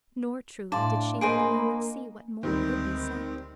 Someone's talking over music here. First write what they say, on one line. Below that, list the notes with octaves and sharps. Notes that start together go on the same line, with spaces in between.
Nor truly did she at the moment see what more could be said.
A2 D4 D5 F5 A5 C6
A#3 G#4 B4 C5 D#5 G#5 D7
D2 D#3 G3 G#3 C4